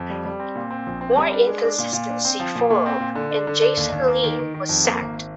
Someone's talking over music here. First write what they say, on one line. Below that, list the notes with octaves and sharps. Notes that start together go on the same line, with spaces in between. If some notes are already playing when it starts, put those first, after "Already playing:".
More inconsistency followed, and Jason Lee was sacked.
Already playing: F2
G3
G3
C4
A#2
C4
A#1
C4
G3
D4
G#3
D4
A#2
A#2
D4
C4
F3
A#2
A#2
C4
A#2
D3
D4
D3
D4
D#2
D#2
A#3
D#3
D#3
D#3
F2
A#3
G#1